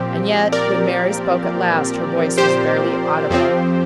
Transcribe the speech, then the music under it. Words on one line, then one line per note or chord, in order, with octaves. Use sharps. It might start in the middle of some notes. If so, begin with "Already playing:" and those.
And yet, when Mary spoke at last, her voice was barely audible.
Already playing: A#2 F3 C4 G4
A#4 D5
G4 C5
F2 F3 C4